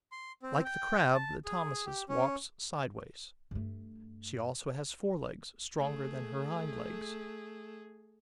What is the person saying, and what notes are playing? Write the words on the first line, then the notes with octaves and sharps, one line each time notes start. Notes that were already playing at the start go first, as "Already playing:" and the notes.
Like the Crab, the Thomisus walks sideways; she also has forelegs stronger than her hind-legs.
C6
C4
G5
A5
G#4
G4
C#4
G2 A3
A3 G#4